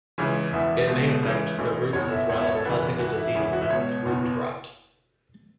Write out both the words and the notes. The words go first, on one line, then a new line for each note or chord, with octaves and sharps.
It may affect the roots as well, causing a disease known as root rot.
C#2 C#3 E3
E1 E2 E3 E5
C#2 B2
C#2 C#3 E3
B1 A2 E3
F#1 E2 B2 C#5
E5
E1 E2 B2 C#5
E5
C#5
A4
F#1 E2 C#3 E3 B4
B4
E1 E2 E3 F#4
E4
E1 E2 C#3 E3
E4
F#4
E5
C#2 B2 C#5
F#1 E2 B2